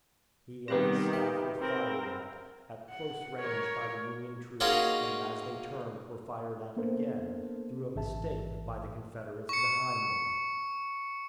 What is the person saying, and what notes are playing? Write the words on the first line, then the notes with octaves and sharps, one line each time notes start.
He and his staff were fired at, at close range, by the Union troops, and, as they turned, were fired at again, through a mistake, by the Confederates behind them.
D#3 G3 B3 C4 G4 F#6 A#6
B4 E5 G5 B5
C4 A#4
F#5
A#4 C#5
A#3 C#4 D#4 F4 F#4 G#4
A#3 B3 D4 A4 A#4 C5
A1 G#2 E3 E5 A5
C#6 C#7